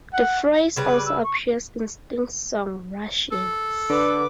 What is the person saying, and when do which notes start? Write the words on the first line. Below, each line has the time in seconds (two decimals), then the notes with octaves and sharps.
The phrase also appears in Sting's song "Russians".
0.14 F#5
0.76 C#3 G3 B4
0.92 D6
1.05 E6
1.23 C#6
3.32 A4
3.90 D3 B4 D6